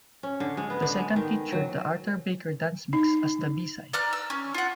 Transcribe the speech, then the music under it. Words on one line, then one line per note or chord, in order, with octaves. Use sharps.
The second featured the Arthur Baker Dance Mix as the B-side.
C#4
D3
G#3
B3
D3
G#3
D#3
F#3
D#4
D5 A#5 F6 F#6
E6
C#4
F4 F#5